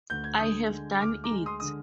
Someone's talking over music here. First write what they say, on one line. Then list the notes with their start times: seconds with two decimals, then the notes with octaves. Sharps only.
I have done it.
0.10 D2 G6
0.24 G#6
0.38 D3 D#6 G6
0.70 G#3
1.01 D2 D6 F6
1.24 A#5 D6
1.31 G#3
1.46 C6 D#6
1.60 D3 D#6